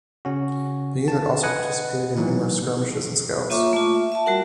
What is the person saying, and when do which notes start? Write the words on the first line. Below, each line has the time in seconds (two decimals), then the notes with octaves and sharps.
The unit also participated in numerous skirmishes and scouts.
0.25 C#3 C#4 F#4
1.08 A5
1.43 B4 D#5 F#5 G#5
2.16 A#2 D#3 E3 F#3
3.50 A#3 F4 C#5 E5 C#6 D6
3.73 A3 F4
3.95 E5
4.12 E5 A5
4.26 G3 F#4 A#4 F#5